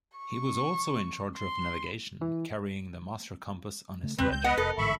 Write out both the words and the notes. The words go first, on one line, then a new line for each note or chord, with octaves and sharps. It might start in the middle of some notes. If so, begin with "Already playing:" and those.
He was also in charge of navigation, carrying the master compass on his sledge.
C#6
C6
E3
C#3 A3
E2 C#3 G#3 C4 B4
C#2 G#3 G6
B3 B4 D#5 F#5
F1 A4 A#4
A1 G#2 D3 E5 B5 C#6